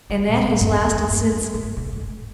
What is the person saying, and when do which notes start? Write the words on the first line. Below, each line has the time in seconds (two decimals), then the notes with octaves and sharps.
"And that has lasted since--?"
0.10 G3
0.27 A#2
0.44 A#2
0.61 G2
0.76 E2
0.93 G2
1.10 G2
1.32 G2
1.54 G#2
1.77 B2
1.93 G#2